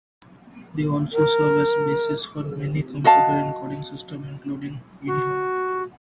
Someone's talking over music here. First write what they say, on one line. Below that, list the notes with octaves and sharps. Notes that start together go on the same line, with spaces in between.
They also serve as the basis for many computer encoding systems, including Unihan.
A#4
F#4 D#5 F5 A5
F#4